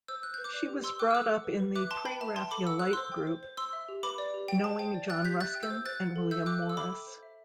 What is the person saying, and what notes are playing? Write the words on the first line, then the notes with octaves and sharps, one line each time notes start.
She was brought up in the Pre-Raphaelite group, knowing John Ruskin and William Morris.
C5 E6 G6
C5 F#6
B4 G6
D6 F#6
D5
G4
C5 C6 E6
G5 D6 F#6
E6
A4 D6 F#6
F#5
B4
B4
E5 D6 F#6
G5 A5 C6
B4 G5 B5
E5 A5
G5 A5 C6
A4 B5 D6
F#5 E6
C5 F#6
C6 E6
C5
G5
C5
C5
C5 C6 E6
E5
G4
B4 B5 D6
D5
G4
G5
C5 A5
C5 G5
D5
G5 F#6 A6
G4 G6 B6
E5 F#6 A6
G5
E6 G6
C5
C5 F#6 A6
F#5
A4
E5 E6 G6
G5 D6 F#6
A4
E6
E5 B5 D6
G5
C5
E5